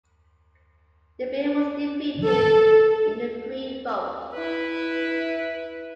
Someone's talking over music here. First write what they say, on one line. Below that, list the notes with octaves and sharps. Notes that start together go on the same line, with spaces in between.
The bill was defeated in a free vote.
A4
E4 B4